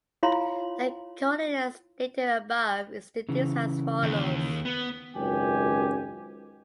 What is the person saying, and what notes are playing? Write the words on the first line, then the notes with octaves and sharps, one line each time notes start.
The Corollary stated above is deduced as follows.
E4 F4 C#5 F5 A#5 C6
C#3 E3
D#2
B3
G#1 C#2 F#2 G4 G#5